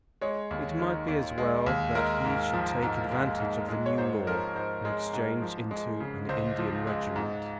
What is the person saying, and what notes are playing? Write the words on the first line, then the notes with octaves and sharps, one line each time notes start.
It might be as well that he should take advantage of the new law and exchange into an Indian regiment.
G#3 C#5
D#2
D#3
D#2
G#3
D#2
G#3 A#4
G#2
F3
G#2
G#3
G#2
G#3
C#5
G#2 C5
F3 A#4
G#2 C5
G#3
G#2
F3
G#3
C#3
C#2 C5
F3
G#3
G#2